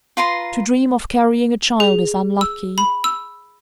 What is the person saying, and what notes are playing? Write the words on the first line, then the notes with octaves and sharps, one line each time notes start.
To dream of carrying a child is unlucky.
F4 B4 A#5 C6
G#4
E6
B5
E6